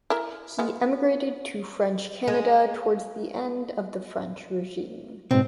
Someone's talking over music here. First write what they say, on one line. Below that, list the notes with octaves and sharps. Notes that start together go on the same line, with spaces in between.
He emigrated to French Canada towards the end of the French Regime.
E4 A#4
G#3 B3 F4
G#3
G#2 B2 C4